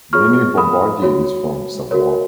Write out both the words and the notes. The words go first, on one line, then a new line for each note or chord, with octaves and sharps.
Nini Bombardier is from Savoie.
F4 G#4 C#5 C#6 F6
B5 D#6
F#4 C#5
F#4 A#4 C#5